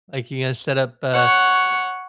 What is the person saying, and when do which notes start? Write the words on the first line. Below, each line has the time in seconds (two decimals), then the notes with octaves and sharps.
Like you're gonna set up, uh,
1.13 C#5 F#5